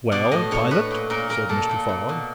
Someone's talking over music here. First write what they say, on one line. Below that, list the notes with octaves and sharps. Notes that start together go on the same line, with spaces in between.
"Well, pilot?" said Mr. Fogg.
B2 D5
A2 D#5
A2 C#5
A2 B4
A#2
A#2 A#4
A#2 A#4
A#2 A4
A#2
A#2
B2